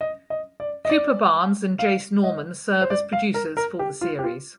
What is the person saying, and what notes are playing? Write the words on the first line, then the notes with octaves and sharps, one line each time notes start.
Cooper Barnes and Jace Norman serve as producers for the series.
D#5
D#5
D5
D#5
D5
F5
D#5
C5
D5
F5
A#4
A#4
G4
F4
G4
F4